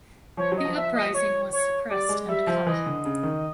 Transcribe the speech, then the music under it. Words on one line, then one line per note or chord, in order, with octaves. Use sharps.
The Uprising was suppressed and ca.
F3 C#5
F#3
D#5
F3
E5
D#5
C#5
C#5
G3 D5
G#3
G3 E5
F3
E3 D#5
D3
C#3
D#3